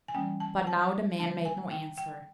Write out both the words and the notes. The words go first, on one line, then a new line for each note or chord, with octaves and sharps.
But now the man made no answer.
G#5
E3 G3 A#3 C#4 G5
A5
A5
D3 G3 A#3 D4 A5
G#5
G5
G5